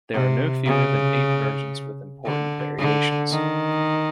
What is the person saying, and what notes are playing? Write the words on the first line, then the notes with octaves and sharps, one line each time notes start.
There are no fewer than eight versions with important variations.
C3
C#3
D3
D3
D#3